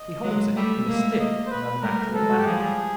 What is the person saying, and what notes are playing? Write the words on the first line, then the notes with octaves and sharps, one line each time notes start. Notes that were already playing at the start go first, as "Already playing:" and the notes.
He holds it in a stiff and unnatural manner.
Already playing: D#5
F#3 G#3
G3 A3 E5
G#3 A#3
D#5
C5
B4
G3 A3 A#4
F#3 G#3 A4
F#4
G4
F3 G3 G#4